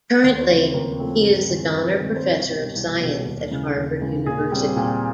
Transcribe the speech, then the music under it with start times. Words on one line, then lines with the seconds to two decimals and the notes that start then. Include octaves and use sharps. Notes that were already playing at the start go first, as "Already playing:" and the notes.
Currently, he is the Donner Professor of Science at Harvard University.
0.24 D#2 C5
0.36 C#5
0.41 C5
0.49 C#3 F3 A3 C4
0.58 B4
0.74 D#2 A#4
1.00 C#3 F3 A3 C4
1.25 G2
1.50 D#3 G#3 C4
1.75 G2 B4
2.00 D#3 G#3 C4
2.16 C5
2.25 C2 C#5
2.50 B2 G3
2.75 C2
3.00 B2
3.05 G3
3.25 D#2
3.51 C#3 E3 G#3
3.77 D#2
4.01 C#3 E3 G#3
4.26 A#2 G#4
4.52 G3 C4
4.76 A#2 G4